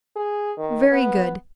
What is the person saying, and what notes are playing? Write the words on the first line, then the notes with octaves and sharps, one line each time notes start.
Very good.
G#4
D#3
B3